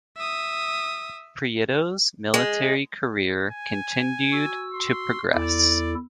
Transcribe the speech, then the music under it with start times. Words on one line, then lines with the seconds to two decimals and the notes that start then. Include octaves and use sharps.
Prieto's military career continued to progress.
0.17 E5 D#6
2.34 G#3
3.51 G#5
4.32 F#4 E6
4.74 C6
5.34 E2 E4 A4 D5